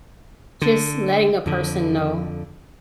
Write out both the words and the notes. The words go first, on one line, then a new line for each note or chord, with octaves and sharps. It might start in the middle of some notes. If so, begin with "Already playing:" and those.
just letting a person know.
D3
F2 D3